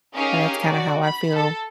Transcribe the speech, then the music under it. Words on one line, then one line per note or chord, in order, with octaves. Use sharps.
and that's kinda how I feel,
C#4 D#4 G4 G#4 A#4 F5
F#4 D5
B5
A4